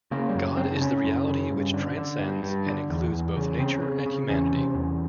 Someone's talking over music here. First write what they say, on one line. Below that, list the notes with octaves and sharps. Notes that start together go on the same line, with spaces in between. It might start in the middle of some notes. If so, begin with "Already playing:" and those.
God is the reality which transcends and includes both nature and humanity.
C#3 A#3
G3
F#2 F#3
C#3 C4
D4
C#3 C#4
F#2
C#3
G2
D3
D3
G2
G2
D3
E2
E2
C#3
C#3 C4
C#3
C#3
E2 C#4
C3
E2